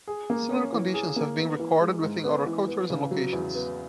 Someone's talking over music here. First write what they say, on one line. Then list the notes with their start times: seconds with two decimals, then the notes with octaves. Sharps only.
Similar conditions have been recorded within other cultures and locations.
0.08 G#4
0.30 A#3
0.51 C#4
0.73 E3
0.94 G#4
1.16 A#3
1.38 B3
1.59 E3
1.81 G#3
2.03 G#2
2.24 B3
2.46 E3
2.68 B3
2.90 C#3
3.11 F#3
3.33 E2
3.55 B3